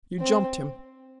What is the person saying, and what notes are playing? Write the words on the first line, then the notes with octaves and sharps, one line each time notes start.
You jumped him.
C4